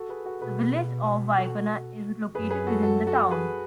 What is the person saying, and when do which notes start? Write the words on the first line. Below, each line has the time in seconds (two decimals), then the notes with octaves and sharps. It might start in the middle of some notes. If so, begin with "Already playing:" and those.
The Village of Wyocena is located within the town.
Already playing: F#4 A4
0.09 G#4 B4
0.25 F#4 A4
0.41 B2 G#4 B4
1.38 F#4 A4
2.34 F#2 G#4 B4
2.50 G#4 B4
2.67 F#4 A4
2.83 F#4 A4
3.07 F#4 A4
3.20 A4
3.31 G#4 B4